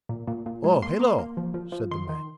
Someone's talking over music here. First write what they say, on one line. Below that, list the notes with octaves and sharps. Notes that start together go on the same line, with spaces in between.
"Oh, hello!" said the man.
A#2
A#2
A#2
G#3
A#3 C6
A#3
A#3
F3
F3
F3
D#3 C6
D#3